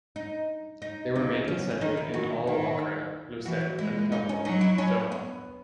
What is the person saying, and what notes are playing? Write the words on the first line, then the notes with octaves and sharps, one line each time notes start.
They were mainly centered in Al Wakrah, Lusail and the capital Doha.
D#4
D#4
C#3 D#4
C#4
B3
C#4
D#3 D#4
E4
D#3 F#4
D#3 E4
E3 F#4
G#3 E4
D#4
C#4
F#3 D#4
E4
C#4
B3